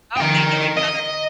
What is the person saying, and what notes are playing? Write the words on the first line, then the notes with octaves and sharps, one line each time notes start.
Oh, they know each other?
A#4 G5
D#5